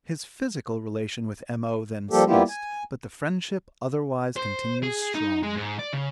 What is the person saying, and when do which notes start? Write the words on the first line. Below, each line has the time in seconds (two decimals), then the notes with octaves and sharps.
His physical relation with M.O. then ceased, but the friendship otherwise continues strong.
2.11 F3 G3 A#3 G4 A4
2.27 G3 A#3 B3 E4 F4 G4
2.49 G#5
4.36 C5
4.83 G#4
5.14 D#4
5.43 G#3
5.56 G#2
5.79 D5
5.93 C#3